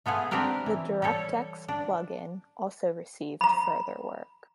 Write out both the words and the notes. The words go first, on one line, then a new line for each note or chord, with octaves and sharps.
The DirectX plug-in also received further work.
A3 B3 F4 G#4
C4 D4 G4 A#4 B4
E3
G3 G4 A4 C#5
D4
A#5 B5